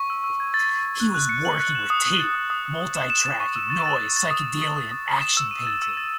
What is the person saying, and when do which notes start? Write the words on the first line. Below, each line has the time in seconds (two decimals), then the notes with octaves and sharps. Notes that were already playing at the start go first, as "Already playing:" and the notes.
He was working with tape multi-tracking, noise, psychedelia and action painting.
Already playing: C#6
0.10 E6
0.24 E6
0.40 G#6
0.54 A6
0.69 A6
0.85 A6
1.00 F#6
1.15 F#6
1.29 C#7
1.45 F#7
1.60 F#6
1.75 E7
1.90 D#6
2.06 D#6
2.20 A6
2.35 D#6
2.50 D#6
2.65 D#6
2.81 D#6
2.95 E7
3.10 E7
3.25 A6
3.40 C#6
3.56 E6
3.70 A6
3.86 A6
4.01 E6
4.17 A6
4.31 D#6
4.45 D#6
4.62 D#6
4.76 D#6
4.91 D#6
5.06 A6
5.21 E7
5.37 E6
5.51 D#7
5.67 A6
5.82 E6
5.97 A6